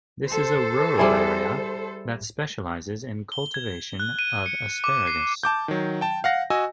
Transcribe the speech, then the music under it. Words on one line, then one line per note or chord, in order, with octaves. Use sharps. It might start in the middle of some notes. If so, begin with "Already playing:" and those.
This is a rural area that specializes in cultivation of asparagus.
A4 C5
G3 E4 G#4
G7
G#6
F#6
D#7
C#7
D6
C7
A5 D6 G6
D#3 F#3
G5 A5
F5 F#5 A#6
F#4 D#5 G#5 E6